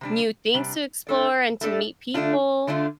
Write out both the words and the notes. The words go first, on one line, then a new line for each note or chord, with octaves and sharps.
new things to explore, and to meet people,
C3 G3 D4
C3 G3 D4
A2 A3 D4 A4 D5
A2 A3 D4 A4 D5
D3 A3 D4 F4
D3 A3 D4 F4